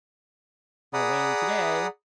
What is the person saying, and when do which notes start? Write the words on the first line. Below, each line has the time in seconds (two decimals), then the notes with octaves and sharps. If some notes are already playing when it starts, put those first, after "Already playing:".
No rain to-day.
0.93 G#4 D5 F#5 A#5 B5 D#6